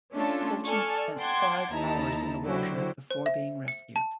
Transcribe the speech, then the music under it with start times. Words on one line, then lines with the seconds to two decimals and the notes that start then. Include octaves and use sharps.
Fulton spent five hours in the water before being rescued.
0.14 A3 C#4 D4 F4 A4
0.63 A4 D5 G#5 A5 C#6 F6
1.17 F#5 G5 A5 C6 D6 G#6
1.73 D#2 D#4 E4 A5 A#5
2.45 D3 F#3 E4 F#4 G4 C5
3.11 C5
3.26 E5
3.68 C#7
3.96 A5